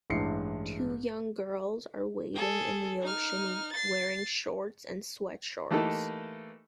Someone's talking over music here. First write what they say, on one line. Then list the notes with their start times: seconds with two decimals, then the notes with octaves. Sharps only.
Two young girls are wading in the ocean wearing shorts and sweat shorts.
0.10 A1 G2 G#3 E4 C7 C#7
2.35 G#4 A4
3.02 D#4 F6
3.73 A6 C7
5.71 E3 A3 A#3 D#4 G4 A4